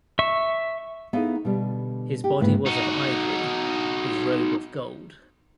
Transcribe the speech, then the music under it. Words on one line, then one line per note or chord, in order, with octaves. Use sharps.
His body was of ivory, his robe of gold.
E5 C#6
B3 D#4 E4 G#4 A4 F5
B2 D3 G3
G4
G#2 C3 D#3 A#3 E4 B4
D#4 F#4